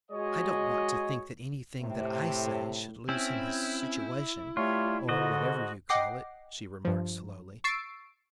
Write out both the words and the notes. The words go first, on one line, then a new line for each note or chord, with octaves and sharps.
"I don't want to think that anything that I say should lose him his situation--or whatever you call it," she remarked slowly.
G#3 F#4 G#4 C#5 D#5
A2 C3
C4 C#4 E4
G3 A3 F4 C#5
G#2 D3 F#4 D#5
D#5 F#5 G5 D6 A#6 C7
G2 F3
C#6 E6 A6 C7 D7